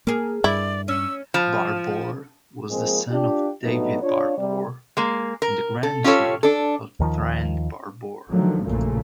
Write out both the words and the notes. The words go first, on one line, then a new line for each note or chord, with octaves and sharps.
Barbour was the son of David Barbour and the grandson of Friend Barbour.
A#3 G#4 A#4
G2 E4 D5
C#4 E6
F3
F3 G#3 A#3 C4 G#4
D4 F4 G4
G2 B2 F#3 A3 B3 D#4
D4 F4 C#5
C3 G3
G#3 A#3
A#4
A4
C#4 F4 G4 A4 C#5
D4 A4
D#2 D#3 F3
D3 D#3 F3 F#3 A3
A#1 F#2 A#2 C#3 A3 A#3